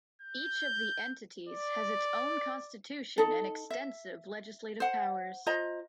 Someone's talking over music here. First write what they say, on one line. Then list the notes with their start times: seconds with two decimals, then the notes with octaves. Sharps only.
Each of the Entities has its own Constitution and extensive legislative powers.
0.21 G6
1.49 D5
3.18 D#4 A4
3.70 E5
4.80 C5 F#5
5.47 F4 C5 D#5 A#5